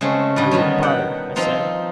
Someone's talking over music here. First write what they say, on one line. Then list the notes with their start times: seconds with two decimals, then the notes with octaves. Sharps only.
"I wouldn't bother," I said.
0.01 C#3 G#3 A3 C4
0.36 A2 D3 G3 D#5
0.51 B2 D#3 F#3 G3
0.83 F#5 G5
1.36 F3 C4 D#4 F4